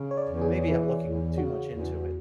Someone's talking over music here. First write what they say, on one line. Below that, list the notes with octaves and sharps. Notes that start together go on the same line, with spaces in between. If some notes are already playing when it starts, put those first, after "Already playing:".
Maybe I'm looking too much into it.
Already playing: C#3
C#5
D5
E2
G#4
E3
E2
C#3 F#4
E2